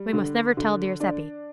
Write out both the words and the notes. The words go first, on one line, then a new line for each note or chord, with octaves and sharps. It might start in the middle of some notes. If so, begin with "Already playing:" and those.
We must never tell dear Seppy.
Already playing: G3
D3
D3
D4